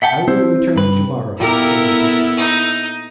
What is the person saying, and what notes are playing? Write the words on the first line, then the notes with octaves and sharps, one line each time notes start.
"I will return to-morrow," said Bertuccio.
E5 F#5 G5 A5
C4 E4 C5
G2 B4
A#2 A#3 B3 E4 G4 A4 A#4
D#4